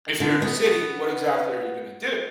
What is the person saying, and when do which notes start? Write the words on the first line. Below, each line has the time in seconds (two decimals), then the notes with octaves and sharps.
If you're in a city, what exactly are you gonna do?
0.20 D3
0.42 B3